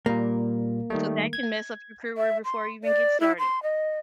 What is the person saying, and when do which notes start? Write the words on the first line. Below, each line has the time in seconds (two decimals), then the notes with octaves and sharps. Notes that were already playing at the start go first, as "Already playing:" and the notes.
'Cause that can mess up your career before it even get started.
0.06 A#2 G3 A#3
0.90 D#3 G3 A3
1.33 G#6
2.17 E5
2.45 C6
2.84 D5
3.20 E4
3.39 C6
3.63 D#5